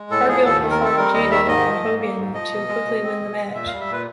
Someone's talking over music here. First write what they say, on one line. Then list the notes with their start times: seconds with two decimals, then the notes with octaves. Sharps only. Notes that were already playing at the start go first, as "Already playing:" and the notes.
Cargill performed "Jaded" on Hogan to quickly win the match.
Already playing: G#3
0.11 A2 A4
0.28 F3 G#4
0.45 D#2 A4
0.62 D#3
0.71 A#4
0.80 C4 A4
0.97 G3 A#4
1.14 D#2 D#5
1.31 D#3 E5
1.48 G#2 D#5
1.66 F3
1.82 G#2
2.00 A#3
2.17 G#2
2.34 F3 D#5
2.52 B2
2.68 G#3
2.86 B2
3.04 C4
3.21 B2
3.37 G#3
3.55 A#2 E5
3.67 G3 F5
3.80 E5
3.89 A#2 B4